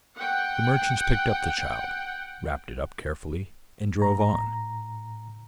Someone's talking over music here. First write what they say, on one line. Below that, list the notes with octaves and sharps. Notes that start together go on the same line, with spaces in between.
The merchants picked up the child, wrapped it up carefully, and drove on.
F#5 G5
A2 A#5